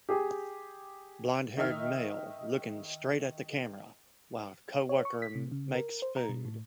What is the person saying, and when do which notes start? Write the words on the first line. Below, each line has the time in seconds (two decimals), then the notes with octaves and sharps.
Blondhaired male looking straight at the camera while coworker makes food.
0.09 G4 G#4
1.57 D#3 D#4 E5 F6
4.89 C#5
5.05 C#6
5.22 B6
5.35 C3
5.52 C#3
5.75 A#4
6.02 C5
6.16 A#5
6.29 B2
6.45 A2